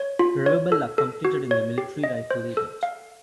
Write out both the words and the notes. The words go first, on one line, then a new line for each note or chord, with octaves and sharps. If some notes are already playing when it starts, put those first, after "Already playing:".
Rivabella competed in the military rifle event.
Already playing: C#5
F4
C#5
A4
A4
F#4
C#5
G4
D#5
C5
A4
F5